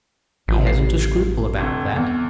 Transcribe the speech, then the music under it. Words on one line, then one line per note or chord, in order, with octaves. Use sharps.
He hasn't a scruple about that.
A1
C7
F1 D3
E2